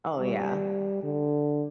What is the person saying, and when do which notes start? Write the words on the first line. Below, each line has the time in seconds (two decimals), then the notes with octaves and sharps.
Oh, yeah.
0.20 G3
1.03 D3